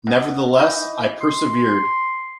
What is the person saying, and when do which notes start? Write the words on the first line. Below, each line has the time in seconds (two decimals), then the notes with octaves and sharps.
Nevertheless, I persevered.
0.07 B2
0.59 E3 D#4 D#5
1.21 C6